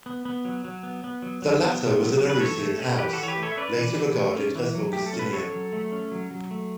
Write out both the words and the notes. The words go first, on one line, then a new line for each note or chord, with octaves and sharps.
The latter was an Arrouasian house, later regarded as Augustinian.
B3
B3
F#3
F#3
B3
B3
F#3
F#3
B3
B3
F#3
F#3
B4
E3 A4 C#5
A3
C#4
E3 G4 B4
F#4 A4
E3 C#5
G4 B4
A3
A4 C#5
E5
C#4 B4 D5
E3
E3
A3
C#4
E3
F#3
A3 G4
A4
C#4
B4
F#3 A4 C#5
F#3
A3
C#4
F#3
F#3
A3